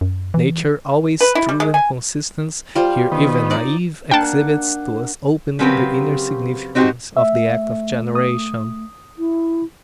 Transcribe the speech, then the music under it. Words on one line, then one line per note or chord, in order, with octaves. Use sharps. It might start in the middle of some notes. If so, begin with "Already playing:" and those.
Nature, always true and consistent, here even naive, exhibits to us openly the inner significance of the act of generation.
F#2
E3
B4
E4
G3
G#3
G#5
G3 F4 C5
D#3 B3
D#4 D5
A#3 D4 F#5 G5 A5
C#3 F#3 C4 G4 A#4 B4
C4 D#4 F#4 G4 C5
A3 E5
D#6
E4